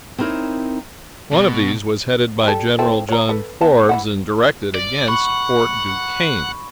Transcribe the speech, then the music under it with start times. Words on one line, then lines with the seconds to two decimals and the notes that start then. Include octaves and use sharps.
One of these was headed by General John Forbes, and directed against Fort Duquesne.
0.18 C4 D#4 E4 A#4 C#5
1.32 B2
2.44 G3 A4
2.79 C4 E4 A4
3.09 C#5 A#5
3.29 A4 B4
3.61 B3 A5
3.89 E3 E4 F#5
4.75 D5
5.08 F#5 B5 C#6